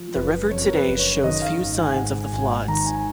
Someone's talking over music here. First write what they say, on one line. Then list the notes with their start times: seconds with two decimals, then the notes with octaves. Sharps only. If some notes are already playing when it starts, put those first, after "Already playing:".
The river today shows few signs of the floods.
Already playing: F3
0.14 F#1 B4
0.51 F2 C#5
0.64 A#4
0.76 B4
0.87 F#1
0.99 C#5
1.24 D#3 D#5
1.42 F5
1.61 G#1
1.78 G#5
1.96 G#2 F#5
2.20 G#5
2.32 G#1 G#5
2.45 F#5
2.68 D#3 A#5
2.86 G#5